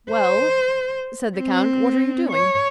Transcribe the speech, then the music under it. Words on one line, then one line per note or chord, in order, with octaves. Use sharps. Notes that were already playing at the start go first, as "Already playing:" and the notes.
"Well," said the count, "what are you doing?"
C5
C4
C#5